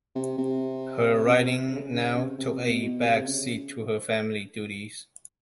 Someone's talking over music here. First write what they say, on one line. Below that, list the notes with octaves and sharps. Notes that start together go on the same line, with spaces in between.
Her writing now took a back seat to her family duties.
C3
C3
C3
C#3
C#3
C3
C3
B2
B2
C3
C#3